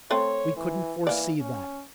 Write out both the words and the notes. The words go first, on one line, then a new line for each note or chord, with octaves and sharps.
We couldn't foresee that.
A3 C4 A4 C#5
E3
E3 A#3 D5
C#4